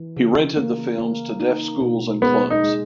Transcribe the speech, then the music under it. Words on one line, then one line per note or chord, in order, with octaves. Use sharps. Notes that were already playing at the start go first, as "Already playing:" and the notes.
He rented the films to deaf schools and clubs.
Already playing: E3
C#3
A#3
A#3
D#4
B2
G#3 B3
D#4
G#3